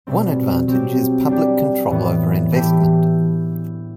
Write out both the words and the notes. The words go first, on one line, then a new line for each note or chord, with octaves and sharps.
One advantage is public control over investment.
B2 G3 C4
F#3 C4 G4
G3 D4 G4
A2 E3 B3
E3 A3 E4 G4